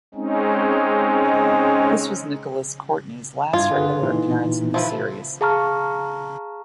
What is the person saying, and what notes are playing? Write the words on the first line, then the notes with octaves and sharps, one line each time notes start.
This was Nicholas Courtney's last regular appearance in the series.
G#3 C4 C#4 D#4
G2 F4 G#6
D3 G#4 B4
A#2 E3 D#4
F3 E4 B4
G#4 F5 A5 A#5 C#6 F6